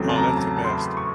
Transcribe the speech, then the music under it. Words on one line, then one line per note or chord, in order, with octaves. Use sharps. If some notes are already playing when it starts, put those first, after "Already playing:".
Oh, that's the best.
Already playing: E2 C#3 F#3 A3 C4
A5
A#5
A5
A5
C6
B5
C#6